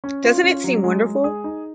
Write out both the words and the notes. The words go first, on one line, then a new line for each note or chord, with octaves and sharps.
Doesn’t it seem wonderful?
C#4
F4
C#4
F#3
G#3
G#3
G#4
D#4